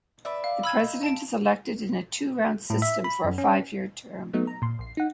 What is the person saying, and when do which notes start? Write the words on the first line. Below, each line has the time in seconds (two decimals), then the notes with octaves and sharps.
The President is elected in a two-round system for a five-year term.
0.25 B4 D5 E5
0.44 F5
0.63 F4 B5 E6 G#6
0.79 D#4
1.03 A5 D7
2.70 A2
2.82 E5
3.04 B5
3.24 F#2
3.38 C#4
4.33 F#3 A3 B3 D#4
4.47 A#5
4.62 A#2 C6
4.79 A#1 C7
4.97 D#4 F#5